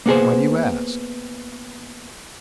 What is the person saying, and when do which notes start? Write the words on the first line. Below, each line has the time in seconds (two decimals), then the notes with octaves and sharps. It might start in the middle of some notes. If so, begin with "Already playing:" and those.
"Why do you ask?"
0.06 A#3 B3 G#4 C5